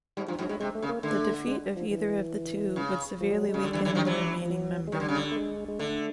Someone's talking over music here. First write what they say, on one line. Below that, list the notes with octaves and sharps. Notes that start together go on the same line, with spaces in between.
The defeat of either of the two would severely weaken the remaining member.
G#2 G3
G2 F3
G#2 F#3
A2 G#3
C3 G#3
A3
C#3
A#3
D3 A3
G#3
F3
E3
C#3
F3
G3
F#3
G3
G#3
C#3
D3 G3
D3 E3
D3 E3
D#3 F3
E3 F#3
F3
F#3
G#3
D#3 G3
D3
C#3
D3
A3
G#3
G#3
D3 A3